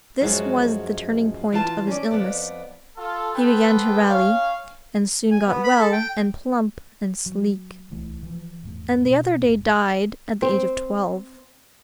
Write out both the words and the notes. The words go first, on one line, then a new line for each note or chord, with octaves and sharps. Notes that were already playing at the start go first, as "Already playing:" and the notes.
This was the turning point of his illness; he began to rally, and soon got well, and plump, and sleek; and the other day died at the age of twelve.
F#2 F3 G#3 F#4
E3 F4 A5
C#4 D5
F2 B3 D5
F4 A4
B3 A4 B4 C5 G5
C#4 C#5 F5
G#5
B3
B5
A4
G5
F#3
D1 C2 E3 A3
E3 F3
G#1 E2 A2
B2
F#1 A2
C4